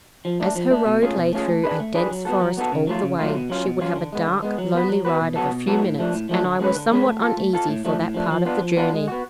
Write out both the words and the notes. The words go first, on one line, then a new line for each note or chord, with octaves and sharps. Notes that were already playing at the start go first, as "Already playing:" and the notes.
As her road lay through a dense forest all the way, she would have a dark, lonely ride of a few minutes, and I was somewhat uneasy for that part of the journey.
F3
A3 D4
F3
A3 D4
B2
A3 C#4 F4 G#4
B2
A3 C#4 F4 G#4
A3
D4 G#4 B4
A3
D4 G#4 B4
F#3
B3 F#4 A4
F#3
B3 F#4 A4
C#3
F#3 A3 F4
C#3
F#3 A3 F4
B2
F#3 C#4 F4
B2
F#3 C#4 F4
D3
G#3 B3
D3
G#3 B3
F#3
B3 F#4 B4
F#3
B3 F#4 B4
B2
F#3 B3 F#4 A4
B2
F#3 B3 F#4 A4
A2
F3 A3 D4
A2
F3 A3 D4
D3
G#3 C#4 G#4 B4
D3
G#3 C#4 G#4 B4
A3
F4 A4
A3
F4 A4
A2
F3 A3 D4
A2
F3 A3 D4
F3
B3 D4 F4
F3
B3 D4 F4
G#3
B3 F#4